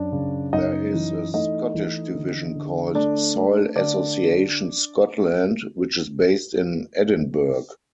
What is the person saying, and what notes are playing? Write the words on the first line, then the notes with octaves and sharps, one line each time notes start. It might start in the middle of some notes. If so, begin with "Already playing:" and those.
There is a Scottish division called Soil Association Scotland, which is based in Edinburgh.
Already playing: F#2 D4 D5
C#3
F#2 D#4 D#5
E3
A3 D#4 D#5
E3
D3
D3
A3 D4 D5
A3
D3 D4 D5